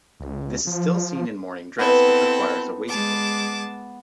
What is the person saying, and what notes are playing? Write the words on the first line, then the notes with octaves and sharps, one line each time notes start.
This is still seen in morning dress, which requires a waistcoat.
C#2
F3
B3 C4 E4 A4
G#3 A5 D6